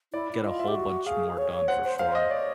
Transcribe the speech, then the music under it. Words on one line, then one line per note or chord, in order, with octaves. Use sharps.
get a whole bunch more done for sure,
E4 D5
E4
F4 D#5
E5
G4
F#4
G#4 F5
C#5
C5 F#5
C5
C5 F5
D#5
C#5 D5